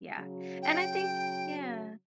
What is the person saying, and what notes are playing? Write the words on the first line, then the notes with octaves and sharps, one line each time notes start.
Yeah. And I think Yeah.
C#3 F#3
G5